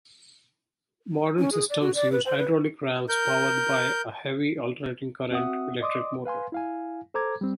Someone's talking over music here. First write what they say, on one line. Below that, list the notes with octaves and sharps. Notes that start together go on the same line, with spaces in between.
Modern systems use hydraulic rams powered by a heavy alternating current electric motor.
C#4
G#4
D5
F#4
D5
B4
C5
B4
A#4 G6
C4 F#4 E5 F#5 D#6
D5 D#5 C6 D6 D#6
B4 F5 G#5 C6
E4 F5 G#5
A4 C5 A#5 D6 G#6
G3 C4